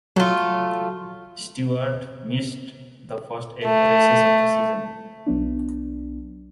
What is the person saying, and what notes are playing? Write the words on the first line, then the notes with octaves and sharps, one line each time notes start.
Stewart missed the first eight races of the season.
F#3 A3 F4
A3
B1 F#3 B3 D4